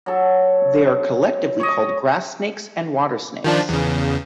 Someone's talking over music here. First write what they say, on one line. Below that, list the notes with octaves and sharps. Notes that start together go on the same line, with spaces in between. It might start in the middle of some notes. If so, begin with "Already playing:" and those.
They are collectively called grass snakes and water snakes.
F#3 A4
C#5 D#5
D#3 F3 D4
E2 C#3